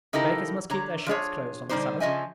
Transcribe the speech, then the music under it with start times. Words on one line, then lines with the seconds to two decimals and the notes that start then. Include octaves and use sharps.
Bakers must keep their shops closed on the Sabbath.
0.13 C#3 D#4 E4 G4 A4 A#4
0.70 D3 C#5 A#5
1.06 F3 D4 G#4 C#5
1.69 D3 G3 D4 D#4 G4 C5
2.00 C#3 F3 B4 D#5 E5 G#5